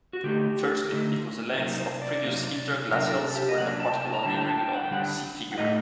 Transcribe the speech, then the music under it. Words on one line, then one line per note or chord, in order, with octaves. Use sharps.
Firstly, because the lengths of previous interglacials were not particularly regular; see figure.
F#4
D3 A3 D#4 G4
D3 A3 D#4
C3 F#3 A#3 D#4 A#4
C5
D5
C3 F#3 A#3 D#4
C3 F#3 A#3 D4 A#4
A#4
A4
G4
D#5
C3 F#3 A#3 D4 F#5
A5
G5
A5
A#5
D3 G3 D4 A5
G5
A5
G5
F#5
G5
D3 G3 D4 F#5
F#5
A2 A3 D#4 D#5